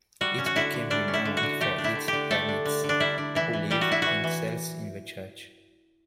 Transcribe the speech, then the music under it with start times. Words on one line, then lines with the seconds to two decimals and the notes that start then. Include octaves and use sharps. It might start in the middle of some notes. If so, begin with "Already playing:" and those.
It became renowned for its hermits, who lived in cells in the church.
0.21 G3 F#4
0.38 C#4
0.46 F#4
0.56 D3 E4
0.73 D3
0.90 G3 D4
1.08 C#4
1.14 E4
1.25 D3
1.37 F#4
1.43 D3
1.61 A3 G4
1.78 D4
1.84 E4
1.95 D3
2.08 D3 G4
2.31 A3 A4
2.49 D4
2.65 D3
2.84 D3
2.89 D4
3.00 G3 E4
3.18 D4
3.35 E3 E4
3.53 E3
3.71 G3 G4
3.81 F#4
3.88 D4 E4
4.02 E3 F#4
4.24 E3